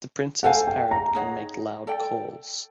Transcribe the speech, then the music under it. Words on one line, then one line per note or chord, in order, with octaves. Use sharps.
The princess parrot can make loud calls.
A4 C5 F5 F#5 G#5
G5
A#5
D#4 G#4 C#5 F#5
A4 D5 G5